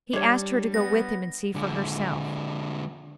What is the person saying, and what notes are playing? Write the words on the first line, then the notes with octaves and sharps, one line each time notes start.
He asked her to go with him and see for herself.
G3 D4 C#5
B3 A#6
D3 G#3